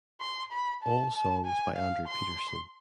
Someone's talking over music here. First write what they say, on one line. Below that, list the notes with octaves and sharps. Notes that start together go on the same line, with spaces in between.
All songs by Andrew Peterson.
C6
B5
A5
A5
G#5
F5
C6